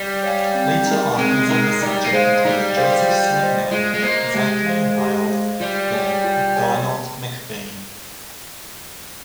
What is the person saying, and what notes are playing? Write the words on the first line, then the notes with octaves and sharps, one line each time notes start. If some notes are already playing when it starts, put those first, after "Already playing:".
Later authors on the subject included Joseph Swetnam, Zachary Wylde, and Donald McBane.
Already playing: G3
C#5 F5 G#5
C4
D#4 A#4
G#3 C4
G#3 D#4 A#4
G3 D#4
A#3
G#3 G#4 C5 F5
G3 D#4
G#4 C5 F5
F4
C5 D#5
G#3 F4
G#3
A#3 C5 D#5
G#3 G4
C5 F5
G4
C5 F5
G3 F4
G#4 C#5 G#5
F4
G#4 C#5 G#5